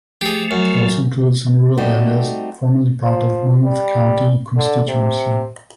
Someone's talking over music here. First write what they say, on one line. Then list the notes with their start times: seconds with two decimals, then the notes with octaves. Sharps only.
It also included some rural areas formerly part of Monmouth county constituency.
0.21 F3 A3 G4 G#4
0.51 F#2
1.77 G3 A3 C4 D#4 F#4
3.04 F3
3.64 G3
4.56 D3
4.88 C3